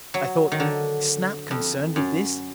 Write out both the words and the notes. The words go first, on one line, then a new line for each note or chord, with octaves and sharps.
I thought, "Is Snap concerned with this?"
F#3
D#3
D3
F2
F#2